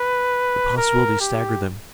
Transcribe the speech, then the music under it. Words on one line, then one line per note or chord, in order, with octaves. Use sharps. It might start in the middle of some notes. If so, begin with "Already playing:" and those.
The possibility staggered them.
Already playing: B4
A#4
G4